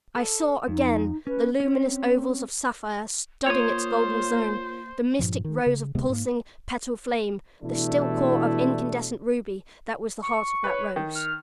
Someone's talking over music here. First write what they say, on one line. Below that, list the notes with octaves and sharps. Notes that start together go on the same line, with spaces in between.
I saw again the luminous ovals of sapphire, studding its golden zone, the mystic rose of pulsing, petal flame, the still core of incandescent ruby that was the heart of that rose.
A4
F2 D#4
C#4 B4
C4 C#4 C#5
A#3 F4 C5 C#5 D#6
G2 A#2 F3
D#3
C#3
D2 C3 G#3 B3
G#2 A#3
B2 E3 G3 A3 D4 E4
C#6
B4 C#5
D#3
F6